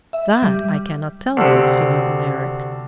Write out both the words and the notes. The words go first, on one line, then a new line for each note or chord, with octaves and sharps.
"That I cannot tell you, Signor Merrick."
E5
G3
D2 C3